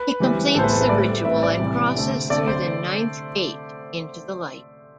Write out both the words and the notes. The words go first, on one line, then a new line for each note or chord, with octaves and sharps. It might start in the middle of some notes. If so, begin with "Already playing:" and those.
He completes the ritual and crosses through the Ninth Gate into the light.
Already playing: B4
E3 G3 C4
A2 E3 B3 A4 C5
B4
A4
B4
A2 G3 C4 D5
A2 G3 C4 E5
D5
C3 E3 G3
D3 A3 C4
D3 A3 C4 D5
C5